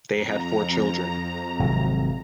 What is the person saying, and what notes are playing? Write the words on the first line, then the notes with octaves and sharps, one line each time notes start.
They had four children.
F2 A#5
G#1 C3 F#3